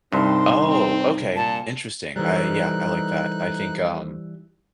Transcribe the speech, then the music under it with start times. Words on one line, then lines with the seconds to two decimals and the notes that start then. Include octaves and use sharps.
Oh, okay. Interesting, I yeah, I like that. I think, um
0.12 C2 G2 C4 D#4 C6
0.67 C4
1.36 A#2 A5
2.16 E3 G3 D#4 A4 A#4 C5 F#6